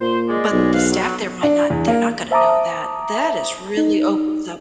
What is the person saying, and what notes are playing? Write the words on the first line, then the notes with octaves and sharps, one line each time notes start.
But the staff there might not they're not gonna know that. That is really opens up
A#2 C5
G#3 D5
B1
G#2 F5 F#5
F#3
D4
E2
A#3
C5 E5 A5 A#5 D6 D#6
D#4